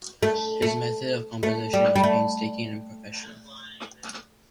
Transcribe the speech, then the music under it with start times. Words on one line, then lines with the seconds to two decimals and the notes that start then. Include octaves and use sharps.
His method of composition was painstaking and professional.
0.23 A3
0.62 A3
1.43 A3
1.73 G3
1.95 G3
2.03 A3